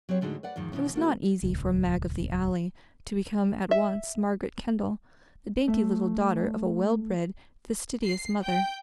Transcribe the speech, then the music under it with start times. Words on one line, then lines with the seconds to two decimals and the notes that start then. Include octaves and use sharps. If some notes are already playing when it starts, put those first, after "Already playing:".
It was not easy for "Mag of the Alley" to become at once Margaret Kendall, the dainty little daughter of a well-bred, fastidious mother.
0.09 F#3 C4 G4 C#5
0.21 A2 D3 G#3 D#4 F#4
0.43 B4 D5 F#5
0.56 E2 G#2 D#3 F3
0.72 B2 D#3 E3 B3 C#4
0.93 D3 A3 A#3 F#4
1.43 D#1 C#2
3.71 E5
5.68 A3
8.03 C7
8.42 G5